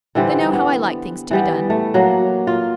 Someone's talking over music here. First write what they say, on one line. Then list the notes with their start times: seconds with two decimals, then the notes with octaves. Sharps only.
They know how I like things to be done.
0.15 D3 E3 G3 C4
0.53 B3
1.31 E3 G3 B3
1.70 A3
1.94 F#3 A#3
2.47 F4